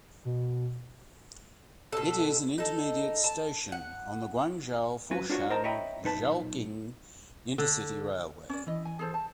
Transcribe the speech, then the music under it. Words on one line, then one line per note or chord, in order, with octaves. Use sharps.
It is an intermediate station on the Guangzhou–Foshan–Zhaoqing intercity railway.
B2
B2 A4
D#4 A4
A5
F#5
F#2 C#4 F#4 B4
D4 F4 F#4 C#5
A#4 C5 D#5 A5 A#5
C#5 D#5 E5 G5 A#5 B5
B1 A#2 D#4 B4 A5
D3
C#4 D5
E3 E4 D#5
G#5
G#4 A4 C5
A5